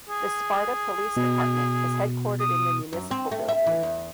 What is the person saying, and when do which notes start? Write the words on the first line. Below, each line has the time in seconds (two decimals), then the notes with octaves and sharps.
The Sparta Police Department is headquartered in the Municipal Building.
0.09 G#4
1.17 B2
2.40 D#6
2.93 F#2
3.11 C4
3.32 A3
3.48 E5
3.67 E3
3.83 E2